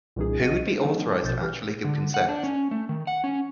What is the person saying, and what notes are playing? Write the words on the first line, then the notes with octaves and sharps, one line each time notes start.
Who would be authorized to actually give consent?
C2 A#2 E3 C#4 D#4 G#4
B1 F#4 D#5 D#7
C5
E3 F#3 G#3 B3 C4 D#4
A#1 B2 F3 G6 A6
E3 G4 B4 F6
D3
F#5
D4
C#4
A3
D#3
F#5
C#4